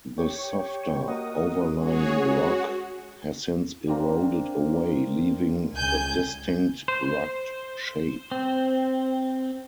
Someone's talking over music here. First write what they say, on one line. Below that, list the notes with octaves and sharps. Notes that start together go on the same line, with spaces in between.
The softer overlying rock has since eroded away leaving the distinct rugged shape.
G4 C#5
A#3 F#4 D#5
G#3 C#4 F#4 G#4 C#5
F#4
A#3 C4 D4
C#2 G#5 G6
C5
C4